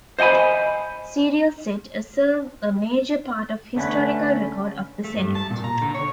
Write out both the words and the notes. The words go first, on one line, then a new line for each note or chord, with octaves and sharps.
Serial Set, and serve a major part of the historical record of the Senate.
C5 D#5 F#5 G#5 B5
D3 A3 C#4 B4
A3
G2
A5
A#2
A#5
D3
C#5